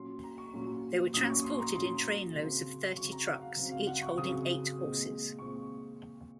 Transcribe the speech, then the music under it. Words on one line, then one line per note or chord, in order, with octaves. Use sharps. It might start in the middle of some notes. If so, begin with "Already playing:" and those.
They were transported in train loads of thirty trucks, each holding eight horses.
Already playing: A#2 F#3 C#4 C6
A#5
C#6
A#2 F#3 C#4
A#2 F#3 C#4 D#6
C#6
C6
A#5
A#2 F#3 C#4 C6
C#3 F#3 C4
C#3 F#3 C4 C#6
A#5
F#5
F5
C#3 F#3 C4
F5
F#5
C#6
C#3 F#3 C4 D#6
A#2 G#3 C4
A#2 G#3 C4 C#6